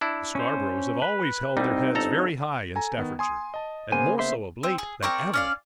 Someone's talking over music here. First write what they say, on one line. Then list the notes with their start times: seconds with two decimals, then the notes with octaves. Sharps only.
The Scarboroughs have always held their heads very high in Staffordshire, and more so of late than ever.
0.01 D4 E4
0.35 C#4 C5
1.02 B4
1.57 C2 G3 C4 D#4
1.95 G1 A4 A#5
2.75 A4 G#5 A#5
2.98 D#3 B3
3.19 G#5 C6 D#6
3.54 D#5 A5
3.92 C#3 A#3 B3 C5 G#5
4.19 C5 E5 C6
4.63 C4
4.78 G#4
5.03 C4 A#4 D5 C#6
5.33 C#4 D5 F5